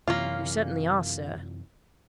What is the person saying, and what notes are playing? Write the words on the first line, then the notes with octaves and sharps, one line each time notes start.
"You certainly are, sir."
F#2 C3 E3 A#3 C#4 F4